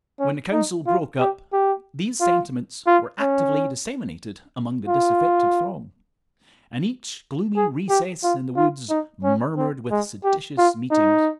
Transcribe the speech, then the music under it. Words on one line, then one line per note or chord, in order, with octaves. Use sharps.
When the council broke up, these sentiments were actively disseminated among the disaffected throng; and each gloomy recess in the woods murmured with seditious meetings.
C#4
D#4
F4
G4
G4
F4
F4
C#4
F4
G#4
G4
F4
F4
D#4
C#4
C4
G#3
G4
F4
D#4